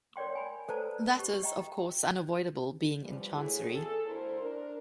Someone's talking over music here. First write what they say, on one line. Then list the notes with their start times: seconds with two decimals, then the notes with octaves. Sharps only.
That is, of course, unavoidable, being in Chancery.
0.16 A#4 C#5 D5 G5 C6
0.35 G#5 B5
0.68 A4 B4 C5 D5 A5 A#5
1.19 G4
1.43 D#5 G5 A#5
3.00 E2 G2 F3 G3
3.34 A2 E4 F#4 G#4
3.71 E2 G#4 A4
4.06 D2 E4 A#4 C5
4.41 D4 A#4